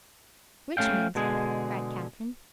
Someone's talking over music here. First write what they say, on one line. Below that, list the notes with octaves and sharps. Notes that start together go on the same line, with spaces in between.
"Richmond!" cried Catherine.
A3 C#4 F5 G5
B2 D3 G#3 G#4